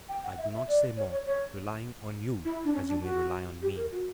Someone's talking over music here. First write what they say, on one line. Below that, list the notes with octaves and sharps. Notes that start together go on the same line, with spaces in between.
I do not say more, relying on you as you may rely on me.
G5
F#5
E5
E5
D5
C#5
C#5
C#5
E4
D4
C#4
D4
F#4
G4
A#4
F#4